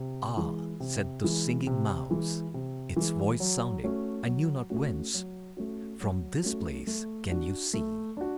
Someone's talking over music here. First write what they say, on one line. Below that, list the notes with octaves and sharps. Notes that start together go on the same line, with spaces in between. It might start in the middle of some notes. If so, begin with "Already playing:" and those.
"Ah," said the Singing Mouse, its voice sounding I knew not whence; "from this place can you see?"
Already playing: C3
E3 G#3
C3
E3 G#3
C3
E3 G#3
C3
E3 G#3
F#3
A3 C#4 F#4
F#3
A3 C#4 F#4
F#3
A3 C#4 F#4
F#3
A3 C#4 F#4
A3
D4 F#4
A3
D4 F#4